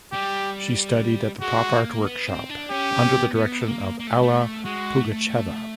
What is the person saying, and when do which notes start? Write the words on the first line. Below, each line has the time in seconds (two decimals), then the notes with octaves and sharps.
She studied at the pop art workshop under the direction of Alla Pugacheva.
0.12 G3 G4
1.41 G#3 F#4
1.75 A#3
2.06 B3
2.27 C4
2.49 D4
2.71 C#4 G4
2.92 C#4
3.14 B3
3.35 B3
3.62 A3
3.68 A#3
4.00 A#3
4.08 A3
4.15 G#3
4.22 A3
4.65 G#3 F#4
4.96 A3